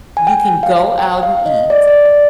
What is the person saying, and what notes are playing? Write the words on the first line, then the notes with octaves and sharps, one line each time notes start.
you can go out and eat,
G#5
G5
F5
G5
F5
D#5
D5
D5
D5